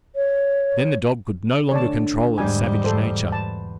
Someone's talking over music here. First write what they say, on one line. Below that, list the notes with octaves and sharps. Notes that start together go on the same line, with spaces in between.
Then the dog could no longer control its savage nature.
C#5
D3 A3 C#5 D5 A5
E2 G#2 G3 G4 G#5
A4 C5
B4 C5 A5